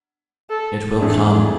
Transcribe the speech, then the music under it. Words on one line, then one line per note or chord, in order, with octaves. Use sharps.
It will come.
A4
F2 E3 A3 D4 G#4